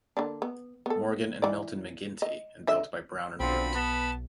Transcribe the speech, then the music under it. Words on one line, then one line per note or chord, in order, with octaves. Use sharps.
Morgan and Milton McGinty and built by Brown and Root.
D3 A#3 D4
B3
B3 A4
E3 D5
D#5
D3 D#5 E5
B1 D3 F3 C4 B5
B3 A5